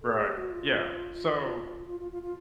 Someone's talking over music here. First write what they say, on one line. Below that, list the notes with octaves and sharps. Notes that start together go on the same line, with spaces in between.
Right. Yeah. So,
A4
G#4
G4
F#4
F4
F4
F4
F4
F4
F4